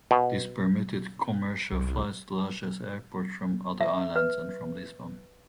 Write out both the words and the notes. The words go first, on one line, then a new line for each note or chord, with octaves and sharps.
This permitted commercial flights to Lajes Airport from other islands and from Lisbon.
B2
C2
E5
B4